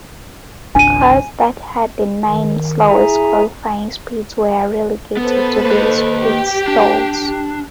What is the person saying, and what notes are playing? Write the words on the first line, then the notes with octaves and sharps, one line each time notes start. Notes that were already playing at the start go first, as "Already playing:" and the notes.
Cars that had the nine slowest qualifying speeds were relegated to these pit stalls.
G#1 C#2 D4 G#5 D#7
D#3
E4 G#4 E5 G#5 A#5
B3 A4 B4 C5
A#3 D#5
G4
D4